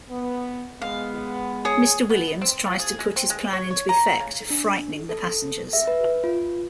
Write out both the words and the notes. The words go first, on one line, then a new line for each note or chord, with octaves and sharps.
Mr. Williams tries to put his plan into effect, frightening the passengers.
B3
G#3 B3 F5
G#4 C#5 D#6
B3
C4
F3
G#4
G#3
C4
G#3
C#5
C#5
A#5
C#3
D4
A4
E5
B4
F4